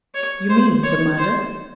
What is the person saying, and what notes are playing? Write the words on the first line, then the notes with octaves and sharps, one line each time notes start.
"You mean the--murder?"
C#5
C5
C#5
C5